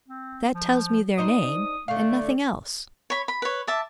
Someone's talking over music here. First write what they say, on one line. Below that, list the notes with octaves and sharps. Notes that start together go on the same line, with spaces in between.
"That tells me their name, and nothing else."
C4
F3
D4 D#4 C5 D#6
D3 A3 F5
C#5 B5
B5
B4 C#5
E5 A5 D6